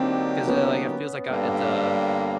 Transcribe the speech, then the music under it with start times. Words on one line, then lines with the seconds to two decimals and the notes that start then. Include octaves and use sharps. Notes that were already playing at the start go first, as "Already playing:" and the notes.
'cause, eh, like, it feels like, uh it's um
Already playing: D3 F#3 A#3 C4 D4 D#4 G4
0.47 B3 C#4
1.29 G2 D3 G3 A#3